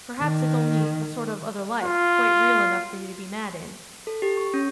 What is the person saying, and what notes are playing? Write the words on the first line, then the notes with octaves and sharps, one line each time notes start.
Perhaps it's only a sort of other life--quite real enough for you to be mad in.
D#3
F4
A4
G4
C#6
C#4